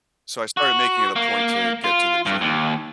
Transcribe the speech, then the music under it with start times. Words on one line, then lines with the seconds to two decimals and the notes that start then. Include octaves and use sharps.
So I started making it a point to get to the gym.
0.57 F#4
1.16 A#3
1.84 F4
2.26 G2
2.41 D#2